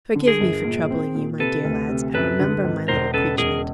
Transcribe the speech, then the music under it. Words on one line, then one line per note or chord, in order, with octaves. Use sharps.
Forgive me for troubling you, my dear lads, and remember my little preachment.
D3
G#4 A#4
G1
A#2
C4
A#2
C3 A4 B4
D2
C3
F#2 A4 B4
D3
G#1
E1 A#4 C5
C#3 A4 B4
E1 G#4 A#4